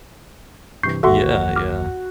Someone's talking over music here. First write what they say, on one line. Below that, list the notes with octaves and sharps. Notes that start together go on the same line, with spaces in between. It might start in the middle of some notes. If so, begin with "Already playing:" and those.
Yeah, yeah.
G2 C3 E3 C#6 G6 C7
A1 D#2 F#4 A4 E5 C6
D6 F6